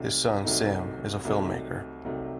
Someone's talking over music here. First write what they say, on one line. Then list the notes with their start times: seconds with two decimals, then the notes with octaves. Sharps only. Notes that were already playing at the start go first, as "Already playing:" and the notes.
His son, Sam, is a filmmaker.
Already playing: C2 C3 F#3 A3 D#4
0.45 C2 C3 F#3 A3 D#4
1.25 C2 C3 F#3 A3 D#4
2.05 C2 C3 F#3 A3 D#4